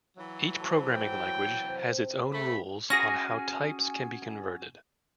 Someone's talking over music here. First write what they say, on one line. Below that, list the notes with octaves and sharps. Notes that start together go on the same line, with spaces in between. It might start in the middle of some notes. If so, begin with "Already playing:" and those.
Each programming language has its own rules on how types can be converted.
E3 F#3 F5
F#4 A4 C5
G5
C3
A3 B5
C#4 F#4 G#4 A#6